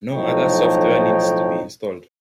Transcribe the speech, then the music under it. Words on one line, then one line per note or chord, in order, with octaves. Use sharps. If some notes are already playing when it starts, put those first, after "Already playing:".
No other software needs to be installed.
B1 A2 F3 D#4 C#5 G5